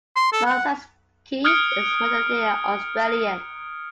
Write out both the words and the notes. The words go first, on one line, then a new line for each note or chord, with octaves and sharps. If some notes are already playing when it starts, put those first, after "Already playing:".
Malceski is a Macedonian Australian.
C6
A4
F#5
D#6 F6 F#6 G#6 C#7 D7